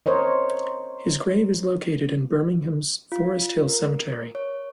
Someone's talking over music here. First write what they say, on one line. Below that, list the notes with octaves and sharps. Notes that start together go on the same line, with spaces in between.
His grave is located in Birmingham's Forest Hill Cemetery.
A#4 C5 C#5 D#5
F4
A#4
C#5